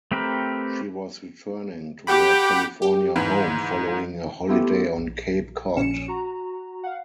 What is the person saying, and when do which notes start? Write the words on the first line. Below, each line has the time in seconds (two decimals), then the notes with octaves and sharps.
She was returning to her California home following a holiday on Cape Cod.
0.12 A3 C4 G4 A#4 B4
2.07 G4 F#5 G5 B5
2.82 G4
3.16 G#2 E3 B5
4.48 A3 B3 E4 F4 G4 A4
4.96 A#1
5.77 A#1 A#2 C#4 C#7 E7
6.08 F#4 A#5
6.83 F5 F#5